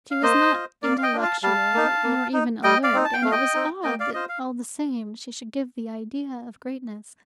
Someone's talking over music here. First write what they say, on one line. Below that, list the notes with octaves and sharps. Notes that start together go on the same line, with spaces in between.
She was not intellectual, nor even alert, and it was odd that, all the same, she should give the idea of greatness.
F5
A#3 C5 D#5
F4
A#3 D5 F5
F5
D#5 G5
D4 F4
F5 A5
G3 F5 A5
A#3 D#4
A#3
D#4
G3 D#5 G5
D5 F5
C4 D#4
A5
G5
A3 F5
D#5 G5
C4 D#4
A#3 D#5 G5
D5 F5
F4 C5 D#5
F5